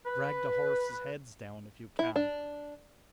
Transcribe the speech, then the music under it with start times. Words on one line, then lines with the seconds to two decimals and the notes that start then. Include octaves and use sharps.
Drag the horses' heads down, if you can!
0.06 B4
1.99 E4
2.16 D4